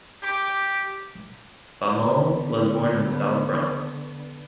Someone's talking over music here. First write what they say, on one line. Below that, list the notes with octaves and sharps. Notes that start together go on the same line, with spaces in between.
Baumol was born in the South Bronx.
G4 D6
D3 B3